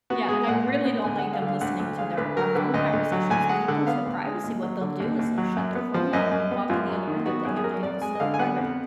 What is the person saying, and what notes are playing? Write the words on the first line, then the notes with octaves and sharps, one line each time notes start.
Yeah, and I really don't like them listening to their our phone conversations. People for privacy, what they'll do is they'll shut their phone off and walk in the other room if they have to have a super private,
B3 F#4
G#3 G#4
A#2 F#5
A#2
B3
D2 G#5
G#3 F#5
F5
D3
F5
D2 F#5
D2
G#3 F5
D2 B4
F#3 A#4
D3 B4
D2 D#5
D2
F#3
D2 G#5
G#3 F#5
D3 F#5
B3 F5
D2
G#3
D#2
F#3
D3
D#2
D#2
F#3
F#2
B3
F3
F#2 D#5
F#2
B3
F#2 F4
F#3
D#3
B3 F#4
F#2 G#4
G#4
F#3 A#4
F2 D5
G#3 G#5
D#5
D3 F5
G#5
B3 F#5
F2